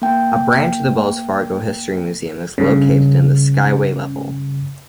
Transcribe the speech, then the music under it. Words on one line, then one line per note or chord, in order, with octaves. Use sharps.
A branch of the Wells Fargo History Museum is located in the skyway level.
A#3 G5
G2 C#3